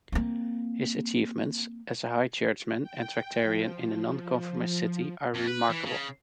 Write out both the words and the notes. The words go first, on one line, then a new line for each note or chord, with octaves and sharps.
His achievements, as a High Churchman and Tractarian in a non-conformist city are remarkable.
A#3 C4
G5
F3
F2
B4
E3
C#3